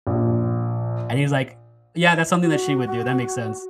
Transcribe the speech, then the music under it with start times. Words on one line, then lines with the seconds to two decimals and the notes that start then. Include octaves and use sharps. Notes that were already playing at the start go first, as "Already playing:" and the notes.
And he was like, "Yeah, that's something that she would do. That makes sense."
0.07 A#1
2.41 F#4